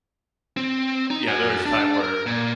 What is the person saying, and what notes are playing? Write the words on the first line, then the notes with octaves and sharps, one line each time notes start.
yeah, there was a time where
C4
D#4
F#4 G#5
D4
A#4
A#2